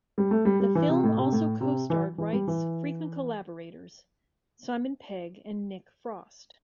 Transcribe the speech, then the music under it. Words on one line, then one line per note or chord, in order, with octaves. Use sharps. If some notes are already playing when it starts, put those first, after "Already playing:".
The film also co-starred Wright's frequent collaborators Simon Pegg and Nick Frost.
G3
A3
G3
G3
E3
C3
A2
C3
A2
C3
E3
E3
G3
E3